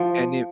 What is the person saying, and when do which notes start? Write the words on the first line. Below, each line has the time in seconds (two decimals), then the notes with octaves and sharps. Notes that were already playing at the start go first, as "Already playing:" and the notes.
and it
Already playing: F3